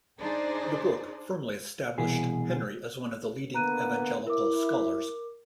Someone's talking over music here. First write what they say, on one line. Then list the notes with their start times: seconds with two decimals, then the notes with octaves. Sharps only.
The book firmly established Henry as one of the leading Evangelical scholars.
0.19 D4 D#4 G#4 C5 D5
1.98 C2 B2 E3 G#4
3.55 D3 A#3 B3 A#5 F#6 D#7
4.27 E4 A#4 D6